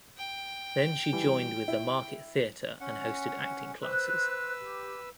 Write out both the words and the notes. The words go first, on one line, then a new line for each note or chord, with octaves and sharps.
Then she joined with the Market Theatre and hosted acting classes.
G5
E3 G3
E4
C#4 F#5
G#5
B4 C5 E6 F#6
G4